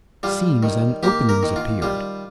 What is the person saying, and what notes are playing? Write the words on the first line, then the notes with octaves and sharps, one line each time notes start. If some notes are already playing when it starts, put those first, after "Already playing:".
Seams and openings appeared.
G3 F4
D#3
A#3 G4
A#4
D#3
F4
G3 F4